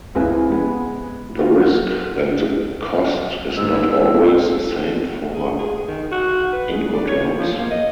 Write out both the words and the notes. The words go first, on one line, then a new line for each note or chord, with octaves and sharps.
The risk and the cost is not always the same for Incoterms.
C#2 C4 E4 G#4 B4 G#5
G#3 B3
A#3 F4 F#4
G#2 E6
G#3
G#4
G#4
D#3
F#4
B4
G#4
D5
C#5
F3
A#3
D#5